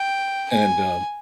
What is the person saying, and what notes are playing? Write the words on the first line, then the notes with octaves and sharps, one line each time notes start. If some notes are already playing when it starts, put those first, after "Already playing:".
And, um
Already playing: G5
G#5